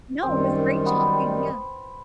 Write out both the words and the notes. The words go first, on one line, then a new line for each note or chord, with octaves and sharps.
No, it was great talking yeah,
F#2 D#3 G3 C4
B3